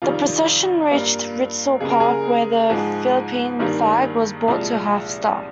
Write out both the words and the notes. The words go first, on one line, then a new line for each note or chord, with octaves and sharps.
The procession reached Rizal Park, where the Philippine flag was brought to half-staff.
F2 C3 D#3 G3 F4
G2 G3 A#3
C#2 C#3 G3 A#3 G#4
A#4
G#4
G#2 F3 G#3 G#4
G2 D#3 G3 A#3
C2 A#2 F3 G#3